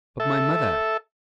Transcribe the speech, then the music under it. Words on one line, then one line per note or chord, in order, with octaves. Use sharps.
"But my mother?"
A4 E5